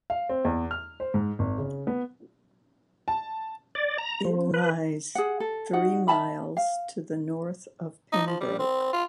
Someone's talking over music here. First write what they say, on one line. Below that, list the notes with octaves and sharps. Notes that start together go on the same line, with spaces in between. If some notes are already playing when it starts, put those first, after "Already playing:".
It lies three miles to the north of Pembroke.
F5
C4
E2
F6
C5
G#2
G#1
C#3
B3
A5
D5
A#5
F3
B4
G#4 F#5
A4
D#4 F#4 F#5
E5 F5 A5 B5
F5
D#4
F3
G3
C4
F4